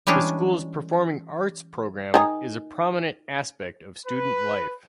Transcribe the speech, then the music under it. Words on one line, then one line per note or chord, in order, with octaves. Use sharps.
The school's performing arts program is a prominent aspect of student life.
E3 G3 G#3 C#4 D4
D#3 G#4 A#5
B4